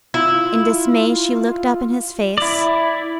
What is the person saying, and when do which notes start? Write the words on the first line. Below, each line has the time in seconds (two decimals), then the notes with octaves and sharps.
In dismay she looked up in his face.
0.14 E4 F4
2.38 E4 D5